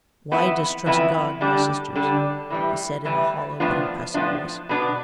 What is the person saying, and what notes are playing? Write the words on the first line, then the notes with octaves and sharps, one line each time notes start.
"Why distrust God, my sisters?" he said, in a hollow but impressive voice.
F2 E3 B3 E4
F2 E3 B3 E4
D3 G3 D4
D3 G3 D4
A2 E3 G3
A2 E3 G3
A2 F3 B3 D4 F4
A2 F3 B3 D4 F4
B2 B3 D4